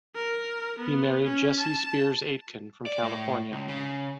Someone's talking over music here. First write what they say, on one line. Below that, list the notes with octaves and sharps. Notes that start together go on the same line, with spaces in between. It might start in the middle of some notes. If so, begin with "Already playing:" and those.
He married Jessie Spiers Aitken from California.
A#4
B3
C#4
A5
D5
A2
C#2
C#3